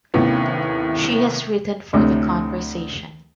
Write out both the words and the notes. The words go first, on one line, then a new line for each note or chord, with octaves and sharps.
She has written for "The Conversation".
D#2 A2 C3 B3 C#4
D2 A2 C3